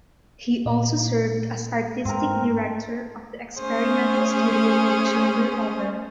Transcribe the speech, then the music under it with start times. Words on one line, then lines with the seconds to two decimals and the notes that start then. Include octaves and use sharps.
He also served as artistic director of the Experimental Studio of Chamber Opera.
0.66 A#2
2.05 G#2 C4 A#4
3.61 A3 C#4 G#4 C5